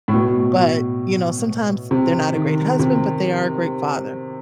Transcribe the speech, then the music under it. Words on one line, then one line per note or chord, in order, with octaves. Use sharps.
but, you know, sometimes they're not a great husband, but they are a great father,
A2
B2
C3
D#3
C3